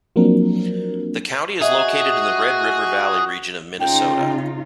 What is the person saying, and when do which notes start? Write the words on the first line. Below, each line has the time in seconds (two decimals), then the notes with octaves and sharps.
The county is located in the Red River Valley region of Minnesota.
0.16 F3 F#3 A#3 C4 D4 A#4
1.62 F#4 G#4 D#5 E5
3.80 C#3 D#4 F4 G5